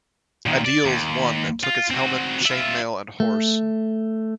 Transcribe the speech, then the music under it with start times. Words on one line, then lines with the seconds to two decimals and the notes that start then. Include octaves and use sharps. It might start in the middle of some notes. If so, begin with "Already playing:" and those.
Adils won and took his helmet, chainmail and horse.
0.46 A#2 D#3
0.65 D5
0.86 D#2
1.64 F4
1.90 C4 F#4
2.46 F4 E5
3.20 A3